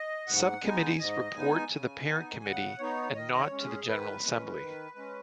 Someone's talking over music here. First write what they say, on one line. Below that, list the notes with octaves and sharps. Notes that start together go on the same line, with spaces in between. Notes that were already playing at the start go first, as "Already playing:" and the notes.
Subcommittees report to the parent committee and not to the general assembly.
Already playing: D#5
G#2 F#5
G#3 B3 D#4 G#5
G#2 D#5
G#3 B3 D#4 G#5
C#3
B3 D#4
C#3 F#5
B3 D#4 C#5
D#3 D#5
C#5
G#3 C#4
G#4
D#3 B4
G#3 C#4
D#3
G#3 C#4